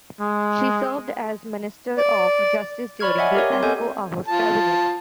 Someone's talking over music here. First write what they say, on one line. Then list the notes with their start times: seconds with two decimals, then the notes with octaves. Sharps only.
She served as Minister of Justice during the Esko Aho's cabinet.
0.20 G#3
1.98 D5
3.00 C#5 D5 B5 C#6 F6 G#6
3.18 D#5 E5 F#5 G#5
3.35 G4 A#4 C#5
3.50 C4 C6
3.63 B3 A4 D#5 G#5 G6
4.28 F4 A5